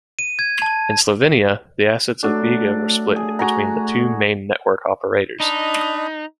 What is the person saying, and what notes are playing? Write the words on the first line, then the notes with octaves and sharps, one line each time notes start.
In Slovenia, the assets of Vega were split between the two main network operators.
D#7
G#6
A5
F#3 A3 D4
G#4
F#4 G#5 A#5
D4 D#4 D#5 B5